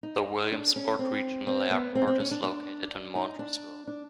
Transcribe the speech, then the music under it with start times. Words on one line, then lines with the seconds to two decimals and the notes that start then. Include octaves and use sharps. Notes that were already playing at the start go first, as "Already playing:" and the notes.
The Williamsport Regional Airport is located in Montoursville.
0.03 D#4
0.52 D4
0.76 C#4
0.99 C4
1.47 C4
1.71 B3
1.95 C4
2.07 C4
2.20 C#4
2.31 D4
2.44 D4
3.15 D#4
3.39 D4
3.87 D4